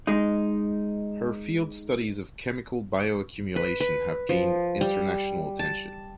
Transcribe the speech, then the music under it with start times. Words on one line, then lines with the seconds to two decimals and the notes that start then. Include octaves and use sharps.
Her field studies of chemical bioaccumulation have gained international attention.
0.07 G#3 D#4
3.56 B4
3.80 B4
4.29 F3
4.81 G3
5.59 A5